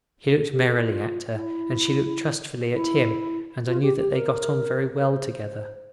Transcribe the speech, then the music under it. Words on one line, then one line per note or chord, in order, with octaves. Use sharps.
He looked merrily at her, and she looked trustfully at him, and I knew that they got on very well together.
A4
G4
A4
E4
F4
E4
E4
F4
G4
G4
A#4
A#4
C5